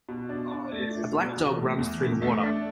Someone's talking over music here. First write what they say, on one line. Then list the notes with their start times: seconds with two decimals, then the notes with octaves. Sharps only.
A black dog runs through the water.
0.09 B2
0.29 D4
0.51 D4
0.72 A3
0.93 D4
1.15 B2
1.36 E2
1.57 A3
1.79 E2
2.00 A3
2.22 A3
2.43 D4